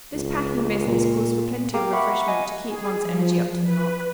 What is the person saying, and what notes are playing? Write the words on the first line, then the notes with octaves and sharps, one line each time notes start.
This packing business calls for plenty of refreshment to keep one's energy up to the mark.
C#2
A#2
G4 A#4 F5 G5 A#5 D6
E5 F#5 A#5 B5 C#6
F#5
D#5 F#5 G#5
G#4
F3
B4